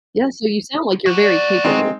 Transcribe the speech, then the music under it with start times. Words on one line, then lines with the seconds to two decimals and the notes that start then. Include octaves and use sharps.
Yeah, so you sound like you're very capable.
1.06 D4 F#4
1.22 D5
1.64 G#3 C4 D#4